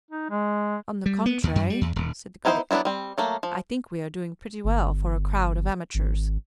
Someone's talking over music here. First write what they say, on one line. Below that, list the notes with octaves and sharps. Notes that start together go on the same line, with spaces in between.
"On the contrary," said the Critic, "I think we are doing pretty well for a crowd of amateurs."
D#4
G#3
G3
B3
D#2
F#2
G3
E2
D#1
B3 D#4 E4 A#4 C5
F#3 B3 D4 E4 F#4
G3 C4
F#3 A3 A#3
F3
G1
G#1